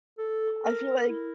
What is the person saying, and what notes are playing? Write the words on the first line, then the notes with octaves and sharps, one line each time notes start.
I feel like
A4
A#4
E4